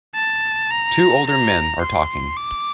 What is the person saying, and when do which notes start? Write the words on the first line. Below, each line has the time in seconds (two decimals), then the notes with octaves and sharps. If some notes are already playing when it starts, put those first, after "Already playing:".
Two older men are talking.
0.15 A5
0.71 A#5
1.27 A#5
1.81 C6
2.37 D6